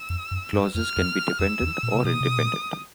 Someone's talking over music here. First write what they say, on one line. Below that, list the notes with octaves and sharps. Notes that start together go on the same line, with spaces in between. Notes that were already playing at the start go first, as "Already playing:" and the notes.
Clauses can be dependent or independent.
Already playing: E6
F2
F#2
G2
F2 F6
F2
F2 E6
E2
A#2
C3
B2 D#6
C3
B2
A#2